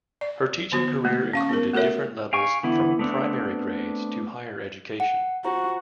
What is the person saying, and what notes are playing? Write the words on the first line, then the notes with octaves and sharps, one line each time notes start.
Her teaching career included different levels from primary grades to higher education.
D5
D3 B3 F#4 C5
A3 A#3
C#4 F5 C#6
B3 A#4
A3 F#4 A4 A#4 C#5 E5
F5 G5 G#5 C#6
D3 E3 B3 E4
A3 B3 C4 D4
F#5 C#7
F4 F#4 C5 A#5